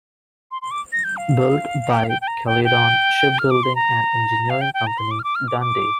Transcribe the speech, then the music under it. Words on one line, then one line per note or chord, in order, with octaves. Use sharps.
Built by the Caledon Shipbuilding and Engineering Company, Dundee.
C6
C6
D6
A#6
G6
F5
G5
F5
G5
G5
A#5
G5
G5
F6
D6
C6
A#5
F5
G5
G5
A#5
C6
D6
F6
D6
F6
D6
D6